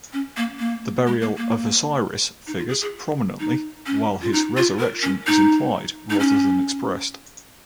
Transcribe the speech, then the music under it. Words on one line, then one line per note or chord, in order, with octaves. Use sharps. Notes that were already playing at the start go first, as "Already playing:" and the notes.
The burial of Osiris figures prominently, while his resurrection is implied rather than expressed.
C#4
A#3
A#3
G#3
A#3
A#3
D#4
F4
G#4
G#4
D#4
C#4
F4
D#4
F4
A#4
C#4
D#4
D#4
C#4